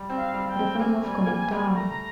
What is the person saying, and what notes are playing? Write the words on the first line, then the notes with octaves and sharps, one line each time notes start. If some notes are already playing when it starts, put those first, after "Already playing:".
The sun was going down.
Already playing: G3
C4
F5
G3
G5
C4
A#3 G#5
G3
A#3
G3
A3 A#5